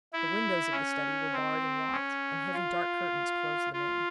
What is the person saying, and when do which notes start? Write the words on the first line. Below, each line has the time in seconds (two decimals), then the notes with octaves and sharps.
The windows of the study were barred and locked, and heavy dark curtains closed them in.
0.13 E4
0.72 C#4
1.33 C4
1.93 C#4
2.53 F4
3.73 F4